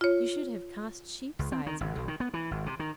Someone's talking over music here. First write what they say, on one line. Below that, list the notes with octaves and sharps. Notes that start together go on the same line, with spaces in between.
You should have cast sheep's eyes at her.'
F4 C#5
C#2
C4
D#3
G#1
B1
D#3
B3
E3
G#1
C3
D#3